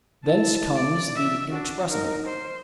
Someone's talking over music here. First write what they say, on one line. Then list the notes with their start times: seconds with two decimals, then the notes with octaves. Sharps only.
Thence comes the inexpressible.
0.25 E4 A5
0.75 D5
1.15 E5
1.49 D4 F#4
1.88 D#4 A#4
2.25 C5